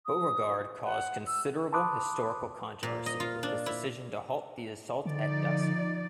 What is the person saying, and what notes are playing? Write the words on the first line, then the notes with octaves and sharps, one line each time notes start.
Beauregard caused considerable historical controversy with his decision to halt the assault at dusk.
D#6
F#5
E6
A5 B5 C6 D6 D#6 F#6
A#2
D#5
F4
D4
E4
D3 F3 D#4 D5